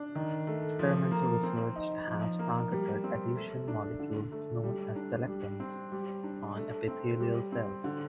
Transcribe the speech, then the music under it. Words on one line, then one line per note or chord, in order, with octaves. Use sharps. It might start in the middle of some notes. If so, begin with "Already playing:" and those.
Experimental research has targeted adhesion molecules known as selectins on epithelial cells.
Already playing: D4
D#3
A3
F3
A#3
C4
D#4
F3
A#3
G3
C4
A3
D4
D3
A3
G3
D4
G3
C4
G3
D4
A3
C4
G3
C4
D3